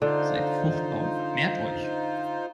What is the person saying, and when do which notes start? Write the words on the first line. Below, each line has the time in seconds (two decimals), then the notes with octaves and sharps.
Seid fruchtbar und vermehrt euch!
0.02 D3 D#4 F4 C5